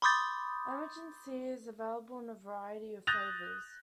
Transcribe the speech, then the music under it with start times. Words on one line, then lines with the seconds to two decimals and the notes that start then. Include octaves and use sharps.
Emergen-C is available in a variety of flavors.
0.02 B5 C6 D6 D#6 G6 A6
3.07 D#6 F#6 G6 A6 A#6 F7